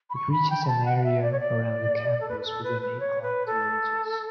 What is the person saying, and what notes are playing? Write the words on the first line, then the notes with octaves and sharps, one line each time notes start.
It reaches an area around the campus within eight-km radius.
B5
C#6
B5
G5
B5
A5
F#5
F#5
E5
D5
C#5
D5
A4
B4
B4
A4
B4
B4
C#5
B4
A4